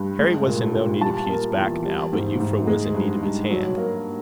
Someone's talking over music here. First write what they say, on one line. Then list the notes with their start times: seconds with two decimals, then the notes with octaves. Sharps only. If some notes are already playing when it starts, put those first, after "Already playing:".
Harry was in no need of Hugh's back now, but Euphra was in need of his hand.
Already playing: G2
0.19 G#3
0.46 A#2
0.74 A#2
1.01 G3 A5
1.29 A#3
1.57 E2
1.84 G3
2.13 G#2
2.40 G#2
2.67 G#3
2.94 G2
3.22 G2
3.51 F#3
3.77 A#3